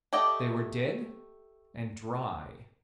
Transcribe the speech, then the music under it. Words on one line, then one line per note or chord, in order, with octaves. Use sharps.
They were dead and dry.
A3 G4 D5 D#5 G5